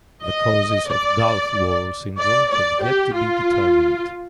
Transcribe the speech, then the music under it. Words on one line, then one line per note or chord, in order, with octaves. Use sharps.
The causes of Gulf War Syndrome have yet to be been determined.
D#5
D5
D5
D5
G4
F4